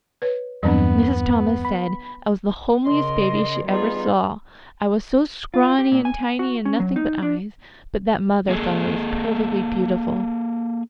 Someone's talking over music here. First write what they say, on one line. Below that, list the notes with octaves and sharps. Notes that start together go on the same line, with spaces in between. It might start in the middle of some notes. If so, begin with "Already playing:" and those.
Mrs. Thomas said I was the homeliest baby she ever saw, I was so scrawny and tiny and nothing but eyes, but that mother thought I was perfectly beautiful.
B4 C#5
E2 G2 F#3 B3 C4 D4
B5
C#3 A#4 D#5 C6
G3 B3 D#4 F4 G#4
F4
G4
A#2
G#5
F#4
C#4
F#3
D#4
D4
A#3 G#4 A4